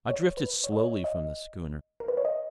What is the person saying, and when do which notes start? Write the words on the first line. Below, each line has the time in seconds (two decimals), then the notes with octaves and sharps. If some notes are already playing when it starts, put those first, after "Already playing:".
I drifted slowly from the schooner.
0.10 C#5
0.37 B4
0.64 C#5
0.72 D#5
0.80 C#5
1.04 D#5
2.00 A#4
2.08 B4
2.17 C#5
2.25 D#5